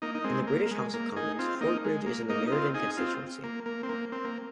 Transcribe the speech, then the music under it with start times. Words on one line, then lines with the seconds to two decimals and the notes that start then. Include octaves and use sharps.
In the British House of Commons, Fordbridge is in the Meriden constituency.
0.02 A#3 D#4
0.15 D#4
0.24 G#3 C4
0.47 A#3
0.66 A#3
0.71 G#3
0.94 A#3
1.16 D#4 G#4
1.39 C4 F4
1.61 A#3 D#4
1.85 G#3
2.06 A#3
2.29 A#3 D#4
2.47 D#4
2.52 C4 F4
2.75 D#4 G#4
2.97 C4 F4
3.44 A#3
3.66 A#3
3.83 C4
3.89 A#3
4.12 C4
4.25 A#3